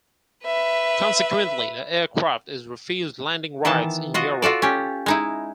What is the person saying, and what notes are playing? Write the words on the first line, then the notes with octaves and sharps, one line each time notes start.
Consequently, the aircraft is refused landing rights in Europe.
B4 E5
D#3 E3 B3 A5
F4 F#4 D#5
F4 F#4 A4 D5
C#4 G4
G#3 D#4 E4